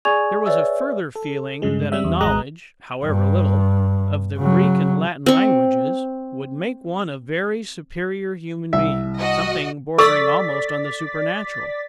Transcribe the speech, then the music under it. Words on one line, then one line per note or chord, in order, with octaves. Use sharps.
There was a further feeling that a knowledge, however little, of the Greek and Latin languages would make one a very superior human being, something bordering almost on the supernatural.
G#4 D5 G#5 C#6 G#6 F7
B4 C#5 D5 E5 E6
A4
G2 C#3 G#3
G3 C4 E5
E2
G#1 G#3 A#5 D#6 F#6
G2
C#3 F#3
C4 C#6
C2 E5
F#4 D#5
A4 D5 C#6 E6 A6 B6